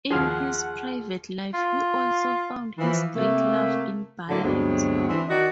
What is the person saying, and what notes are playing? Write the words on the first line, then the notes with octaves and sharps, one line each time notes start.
In his private life he also found his great love in ballet.
D#2 F3 G#4 F#5 C6 F6
F4
E3 F3
C3 A3 A#3
A2 D3 F#3 A#3 E4 D5
D2 G2 F#3 G#3 B3 C4
E3 C4 D4
D#3 F#4 D5 D#5